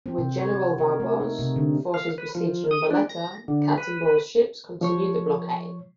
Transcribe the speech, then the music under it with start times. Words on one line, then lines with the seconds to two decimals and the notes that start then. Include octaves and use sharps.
With General Vaubois's forces besieged in Valletta, Captain Ball's ships continued the blockade.
0.06 C4
0.18 C3
0.38 C#5
0.53 F#4
0.78 A#4
1.00 A3
1.20 D#4
1.39 C3
1.56 D3
1.94 F5
2.18 B4
2.35 F3
2.71 D#6
2.91 D4
3.09 A#6
3.48 D3
3.78 B4
4.81 F3 C#5 C#6